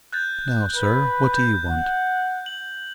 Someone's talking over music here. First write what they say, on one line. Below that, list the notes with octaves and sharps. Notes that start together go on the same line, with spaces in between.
'Now, sir, what do you want?
F#6 G6 A6
B4
G6
F#5
F#7